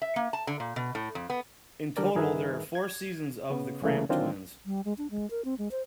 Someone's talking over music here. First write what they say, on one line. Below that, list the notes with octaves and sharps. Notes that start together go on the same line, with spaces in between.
In total there are four seasons of "The Cramp Twins".
E5
A#3
A5
D3
A#2
B2
A2
F2
B3
D3 G3 G4 A4 A#4 D5
G2 D#3 G#4 A#4 B4 E5
G#6
C#3 B3
C2 C#3 E3 A3 A#3
D3 D#3 F#3 C4 D4 F4
G3
G#3
D4
G#3
A#4
C4
G#3
C5